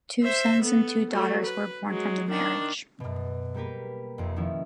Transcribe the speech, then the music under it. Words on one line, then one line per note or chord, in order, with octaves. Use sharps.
Two sons and two daughters were born from the marriage.
C5 E5
B3 A4
F#3 A3
B4
F#3 G#3
D#3 D4
F#2 B2
G3 A#3 G4 A#4 B4
F1 F2
D#3 F3 C#4 E4